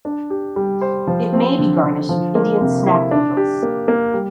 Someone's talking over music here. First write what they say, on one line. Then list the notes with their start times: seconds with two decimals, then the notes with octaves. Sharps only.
It may be garnished with Indian snack noodles.
0.05 D4
0.30 G4
0.56 G3
0.81 C5
1.07 F3
1.33 C4
1.58 D3
1.84 D3
2.09 F3
2.35 A#3
2.61 C3
2.86 E4
3.11 D4
3.37 G4
3.63 A#3
3.88 A#3
4.14 G3